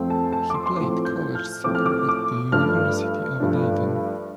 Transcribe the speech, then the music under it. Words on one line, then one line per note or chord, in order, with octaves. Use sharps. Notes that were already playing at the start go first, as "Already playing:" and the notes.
He played college soccer at the University of Dayton.
Already playing: F2 F3 A3 C4
A5
A5
D6
C6
C6
A2 F3 A3 C4 D6
G6
F6
A2 F3 A3 C4 D6
F6
D6
D6
G2 F3 A3 D4 F6
G2 F3 A3 D4